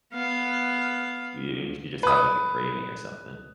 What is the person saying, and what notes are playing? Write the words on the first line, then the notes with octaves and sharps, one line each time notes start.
you you could just have, like, a craving or something.
B3 F5
B4 D#6